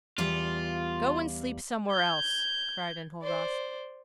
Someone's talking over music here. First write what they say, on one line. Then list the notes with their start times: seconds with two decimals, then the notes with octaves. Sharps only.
"Go and sleep somewhere else," cried Enjolras.
0.18 E2 G3 F4 F5
1.89 G6 G#6
3.22 C5 D5